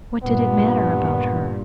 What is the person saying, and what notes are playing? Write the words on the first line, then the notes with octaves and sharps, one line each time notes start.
What did it matter about her?
G2 A#2 B3